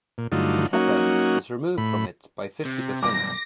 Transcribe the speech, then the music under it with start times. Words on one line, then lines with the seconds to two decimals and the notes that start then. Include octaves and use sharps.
Miss Hepburn was removed from it by fifty percent.
0.18 A#2
0.32 G2 D3 F#3 A3 D#4 F4
0.73 F#3 A#3 C#4 D#4 F#4
1.78 A2 B5
2.65 C3
3.03 B1 G2 D6 A#6